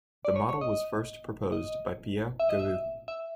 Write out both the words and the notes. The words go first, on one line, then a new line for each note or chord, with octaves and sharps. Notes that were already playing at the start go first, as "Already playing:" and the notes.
The model was first proposed by Pierre Carreau.
D5
C#5
C#5
D#5
D#5
E5
D#5
E5
E5